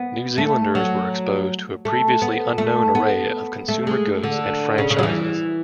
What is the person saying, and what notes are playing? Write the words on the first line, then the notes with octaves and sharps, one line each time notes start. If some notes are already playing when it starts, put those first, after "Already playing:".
New Zealanders were exposed to a previously unknown array of consumer goods and franchises.
Already playing: B3
A3
F#3
A3
B3
A3
B3
A3
G#3
D3
C#3
C#3
F#3
E3